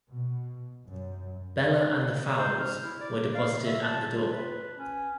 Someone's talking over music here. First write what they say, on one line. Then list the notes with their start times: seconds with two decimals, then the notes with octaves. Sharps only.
Bella and the fowls were deposited at the door.
0.11 B2
0.87 F#2
2.38 C5
2.60 F6
2.84 E4
3.01 D5
3.34 F5
3.65 E5
3.83 A5
4.16 F4
4.32 B4
4.77 C#4